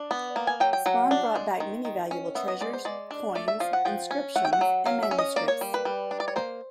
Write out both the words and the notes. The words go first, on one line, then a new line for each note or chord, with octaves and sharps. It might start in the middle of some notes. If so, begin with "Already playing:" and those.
Spon brought back many valuable treasures, coins, inscriptions and manuscripts.
Already playing: D4
B3
A#3
G#5
F#3 G5
G5
F#3 F#5
D4
G#3
D#3
D#3
C#4
B3 E5
D#5
G#3 D5
C5
G#3 D5
D4
A3 D5
E5
F3 F5
F#5
F3 G5
C#4
A3 F#5
G5
F#5
F#3
F#3 F5
E5
C#4
D#5
A#3 D5
C#5
G3
B4
G3
D4
D5
C#5
A#3 C5